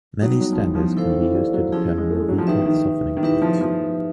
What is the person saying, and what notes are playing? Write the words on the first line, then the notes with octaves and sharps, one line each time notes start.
Many standards can be used to determine the Vicat softening point.
F#3 G3 B3 D#4
F#3
F3
E3
F3
E3 E4 A4 C5 F5
D#3
E3
G3
F#3
F3 C#4 E4 G#4
G#3
A3
G#3
F#3
F3
D#3 D#4 G4 B4 E5
D#3
D#3
E3 D#4 G4 B4 E5
F3
F3